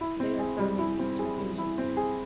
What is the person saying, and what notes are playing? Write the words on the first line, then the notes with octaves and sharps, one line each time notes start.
They are found in eastern Asia.
E4
C4
G#4
G3
E4
C4
G#4
G3
E4
C4
G#4